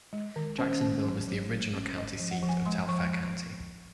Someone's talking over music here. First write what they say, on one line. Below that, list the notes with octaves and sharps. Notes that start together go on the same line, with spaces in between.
Jacksonville was the original county seat of Telfair County.
G#3
D#3
C#4 C5
C#4
F#3
F#3
F#3
C#4
G#3 D#5
F3
F#5
F3
G#5
G#3 C6
F3 C#6